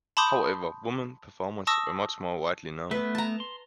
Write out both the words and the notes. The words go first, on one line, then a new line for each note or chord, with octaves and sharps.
However women performers were much more widely known.
A5 B5 C6 D6 D#6 G6
A5 C#6 D#6 E6 A#6
A3 B3 B4
A5 A#5
C6